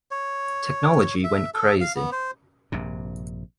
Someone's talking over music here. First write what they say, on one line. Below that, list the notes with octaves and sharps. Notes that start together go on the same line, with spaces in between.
Technology went crazy.
C#5
E5
A4
F5
B3
C5
A#1 G2 C3